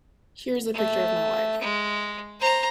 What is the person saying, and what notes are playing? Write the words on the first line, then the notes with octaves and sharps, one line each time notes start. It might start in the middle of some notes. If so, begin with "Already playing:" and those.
Here's the picture of my wife.
A3
G#3
C5 A#5